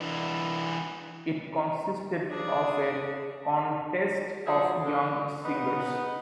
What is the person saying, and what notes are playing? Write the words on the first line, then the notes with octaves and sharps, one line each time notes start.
It consisted of a contest of young singers.
E3 D4
D4 G#4
F3 F#3 A3 G#4
D3
B3 D#4